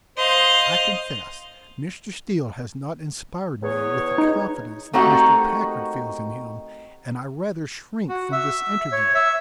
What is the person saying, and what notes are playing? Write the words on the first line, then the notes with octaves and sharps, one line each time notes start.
I confess Mr. Steele has not inspired me with the confidence that Mr. Packard feels in him and I rather shrink from this interview.
C5 D#5 F5
E2 G#4 C#5
D#4
A3 A#3 C4 D#4 F#4 G4
F#4
E5
C#5
E5